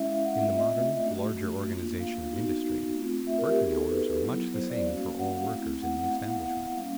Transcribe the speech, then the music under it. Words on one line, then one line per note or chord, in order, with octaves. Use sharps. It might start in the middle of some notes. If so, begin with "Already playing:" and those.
In the modern larger organization of industry, working hours are much the same for all workers in the establishment.
Already playing: G#3 C#4 E4 E5
F5
F#5
A3 C4 F4 E5
D#5
A3 D4 F#4
A#3 D4 F4
F5
B3 D#4 F#4
A3 C4 F4
E5
A#4
G4
B3 D#4 F#4 G#4
A4
B4
F#3 B3 E4
C5
D5
G3 A#3 C#4 F#4 F5
F#5
F5
A3 C4 E4
F#5
F#5
B3 E4 F5
F#5
G3 A#3 C#4 F5